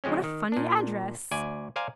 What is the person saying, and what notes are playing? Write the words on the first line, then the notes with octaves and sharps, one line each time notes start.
"What a funny address!"
C#3 F3 G#3 C4 C#4
D#3
A#2 D4
D2 D5 G#5
C5 D5 F5 G#5 A#5